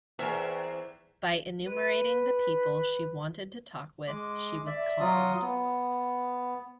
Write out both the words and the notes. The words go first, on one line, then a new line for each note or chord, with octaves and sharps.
By enumerating the people she wanted to talk with, she was calmed.
E2 C4 A#4 E5
B4
G#3 D6
D5 E5
F#3 F4 D#6
B3